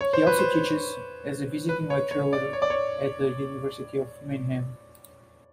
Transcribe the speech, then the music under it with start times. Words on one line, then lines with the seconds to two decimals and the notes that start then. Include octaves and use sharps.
He also teaches as a visiting lecturer at the University of Mannheim.
0.01 C#5
0.13 C5
0.27 B4
0.39 C5
1.69 B4
1.90 C#5
2.11 C#5
2.33 D5
2.53 C#5
2.62 D5
2.70 C#5